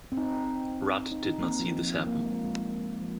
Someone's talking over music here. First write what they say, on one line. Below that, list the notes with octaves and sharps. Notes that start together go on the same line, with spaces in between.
Rudd did not see this happen.
C4
D#4
D#4
D#4
A#3
C4
F3
F3
A#3
G#3
F3
G#3
F3